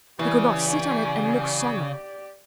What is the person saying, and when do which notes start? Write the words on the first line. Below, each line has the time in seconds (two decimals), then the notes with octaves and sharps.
He could not sit on it and look solemn.
0.19 C#3 E3 G4 D5 G#5